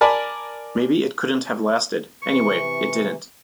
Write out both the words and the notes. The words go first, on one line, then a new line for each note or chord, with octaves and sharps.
Maybe it couldn't have lasted; anyway, it didn't.
A#4 D5 G#5 A5 B5
C3 E3 C#6